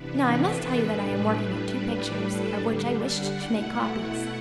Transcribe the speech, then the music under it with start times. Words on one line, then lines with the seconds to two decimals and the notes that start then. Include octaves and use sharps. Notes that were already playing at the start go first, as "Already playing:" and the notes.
Now I must tell you that I am working at two pictures of which I wished to make copies.
Already playing: C3 E3 B3 D4 B4
0.33 A4
0.77 A2 G3 D4 B4
1.66 A2 G3 D4 B4
2.09 A4
2.53 D3 G3 D4
2.97 F#5
3.40 B2 A3 E4